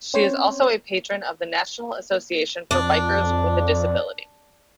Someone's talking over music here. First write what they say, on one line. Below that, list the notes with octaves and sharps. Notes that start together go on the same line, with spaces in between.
She is also a patron of the National Association for Bikers with a Disability.
C4 C#4 C5 C#5
F2 D4